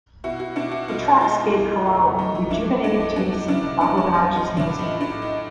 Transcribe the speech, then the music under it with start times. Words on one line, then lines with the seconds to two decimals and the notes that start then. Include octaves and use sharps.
The tracks gave Kerala a rejuvenated taste of Baburaj's music.
0.24 B2 E4 F#4
0.39 E4 F#4
0.56 B2 D4 E4
0.72 E4 F#4
0.88 B2 D#4 F4
1.21 G#3 D#4 F4
1.54 E3
1.86 A3
2.19 A3 D#4
2.35 D#4
2.51 E3 D4 E4
2.84 F#3 D4
3.00 D#4
3.16 B3 D4
3.33 D#4
3.48 C#3 D4 E4
3.81 B3 D4 E4
3.97 D4 E4
4.14 F#3
4.36 D#4 F4
4.46 A2
4.57 D4 E4
4.79 A2 D#4
5.01 D4
5.11 A2
5.22 D#4